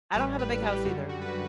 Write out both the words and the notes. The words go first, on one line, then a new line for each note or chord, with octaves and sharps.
I don't have a big house either.
A1 A2 G3 B4
B4
G4
F#2 D3 G3 F#4
F#4
B4